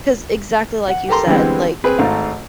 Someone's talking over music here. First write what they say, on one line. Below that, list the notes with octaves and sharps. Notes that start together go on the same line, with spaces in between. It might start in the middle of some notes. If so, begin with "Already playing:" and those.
‘cause exactly like you said, like,
F#5
G4 A4 A#4 A#5 C6
D3 E3 G3 G#3 B3 C4
C4 G#4 B4
G#1 G#2 A3 F5